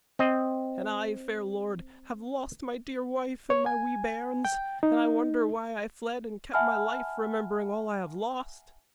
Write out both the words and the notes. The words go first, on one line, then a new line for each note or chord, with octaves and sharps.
And I, fair lord, have lost my dear wife and my wee bairns, and I wonder why I fled and kept my life, remembering all I have lost.'
C4 D#5
C#5
G#5
G5
D#4
E5 F#5 G#5 A5 B5 F6